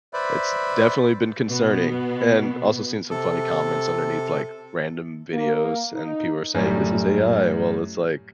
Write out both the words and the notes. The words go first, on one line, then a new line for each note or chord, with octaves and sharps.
it's definitely been concerning, and also seen some funny comments underneath, like, random videos and people are saying, "This is AI," well, it's like
B4 C5 D5 E5 B5
B2 B3
C3 A4
A#3
D#4
F#2 A2 G3